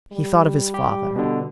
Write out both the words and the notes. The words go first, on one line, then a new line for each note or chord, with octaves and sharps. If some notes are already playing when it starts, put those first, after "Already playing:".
He thought of his father.
G3
G4
B2 D3